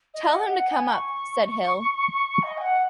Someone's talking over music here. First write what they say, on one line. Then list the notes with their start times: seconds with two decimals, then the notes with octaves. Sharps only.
"Tell him to come up," said Hill.
0.14 D#5
0.33 F#5
0.52 F#5
0.71 G#5
0.91 C#6
2.43 D#5
2.57 G#5
2.61 F#5